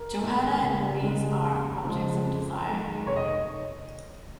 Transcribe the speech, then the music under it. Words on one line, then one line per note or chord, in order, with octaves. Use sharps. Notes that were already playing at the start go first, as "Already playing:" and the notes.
Johanna and Louise are objects of desire and yearning.
Already playing: A#4
G#2 D#3 G#3
C#2
C#3 G#3
D#2
C#3 F3 G#3
F2
D#3 G#3
F1 C#5
D#5